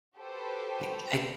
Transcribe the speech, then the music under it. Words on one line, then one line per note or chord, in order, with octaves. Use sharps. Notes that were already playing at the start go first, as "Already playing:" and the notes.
I I
F#4 G4 A4 B4 C5